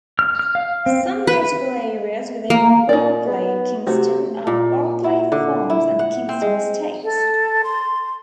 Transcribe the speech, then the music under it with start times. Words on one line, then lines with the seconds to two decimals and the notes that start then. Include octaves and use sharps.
Some notable areas within Barclay-Kingston are Barclay Farms and Kingston Estates.
0.19 F6
0.39 F6
0.55 F5
0.86 C4
1.27 B4
2.50 A#3
2.89 A#2 D#4 D5
3.26 B3
3.87 C3 A3 F#4
4.47 A#2
5.04 E4
5.32 D3
5.70 E4
5.99 F#5
6.29 C4
6.42 G#3
7.04 A4
7.64 C6